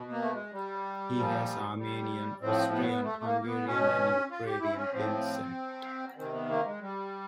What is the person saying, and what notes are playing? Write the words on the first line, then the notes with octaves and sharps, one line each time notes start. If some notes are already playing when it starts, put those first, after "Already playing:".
He has Armenian, Austrian, Hungarian and Ukrainian descent.
Already playing: B2
A#3
A3
G#3
G3
A#2 F3
G3
A2 F3 C4
B3
A3
A3
A#3
A#3
B3
B2 C#4
F4
G4
E4
C#4
A2 F3 C4
C3 D#3 C4
B3
A#3
G#3
G3